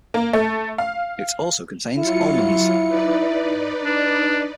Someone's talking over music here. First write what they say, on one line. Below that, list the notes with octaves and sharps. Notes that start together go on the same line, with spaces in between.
It also contains almonds.
A#3
A3
F5
F#3 E4 F4 C#7
D#4 B4 D5
D4